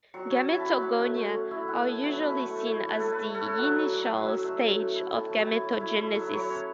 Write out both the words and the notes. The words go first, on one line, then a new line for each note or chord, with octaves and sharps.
Gametogonia are usually seen as the initial stage of gametogenesis.
F#3 C#6
C#4
A5
E4 B5
A5
F#3
C#4 F#5
A3
A3
C#4
E4 E5
E4 F#5
B3 A5
F#3 A5
E4 B5
A3
C#6
A3
E4 C#5
A3 B4
A4
A3
B4
A3
A4
C#4
F#3 F#5
F#3
F#3
F#3
C#4 E6
A3
C#4
A3
E4
E4
A5
F#3
A5
E4
F#3
E4
E4
F#3
F#3 C#5
C#4